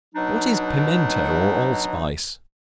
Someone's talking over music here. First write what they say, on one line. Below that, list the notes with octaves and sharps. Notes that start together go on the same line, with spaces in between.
What is Pimento or Allspice?
B2 F#3 D4 D#4